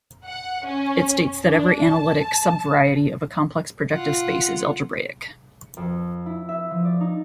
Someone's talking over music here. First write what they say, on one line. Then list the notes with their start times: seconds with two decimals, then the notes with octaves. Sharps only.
It states that every analytic subvariety of a complex projective space is algebraic.
0.26 F#5
0.65 C#4
1.44 D4
1.87 A5
3.92 F4 F#5
5.77 F2
6.26 E4
6.49 E5
6.71 F3
6.85 D5
7.00 D#4